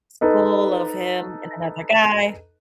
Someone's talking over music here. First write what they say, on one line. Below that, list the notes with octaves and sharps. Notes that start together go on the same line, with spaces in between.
school of him and another guy.
D#4 A4 B4 D#5